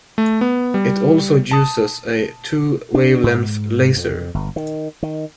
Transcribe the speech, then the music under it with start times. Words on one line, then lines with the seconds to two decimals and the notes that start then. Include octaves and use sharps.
It also uses a two-wavelength laser.
0.18 A3
0.41 B3
0.74 G3
1.51 A5 D#6
2.94 D4
3.23 G#2
3.97 F2
4.34 G1
4.56 D#3
5.03 D#3